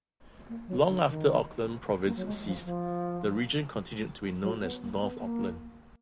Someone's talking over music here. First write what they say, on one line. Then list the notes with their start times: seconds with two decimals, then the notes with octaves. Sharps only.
Long after Auckland Province ceased, the region continued to be known as North Auckland.
0.49 A#3
0.68 F#3
0.87 D3
1.08 D#3
2.06 A#3
2.17 F#3
2.26 G#3
2.45 F3
2.64 F3
4.42 F#3
4.62 B3
4.82 A#3
5.02 B3
5.22 A#3